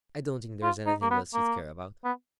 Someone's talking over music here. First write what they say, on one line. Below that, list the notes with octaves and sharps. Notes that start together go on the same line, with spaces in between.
I don't think there is anything else you'd care about.
F4
D#4
A#3
B3
A#3
B3